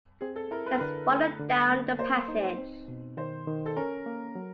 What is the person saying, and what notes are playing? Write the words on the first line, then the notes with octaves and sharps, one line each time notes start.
That's farther down the passage.
C4 G#4
A4
E4 A#4
B4
A#4
D3 B4
A3
D3
A#3
A#3 C5
D#4
C4
B2
D#3 C5
D#3
A4
C#4 A#4
A#3
F#3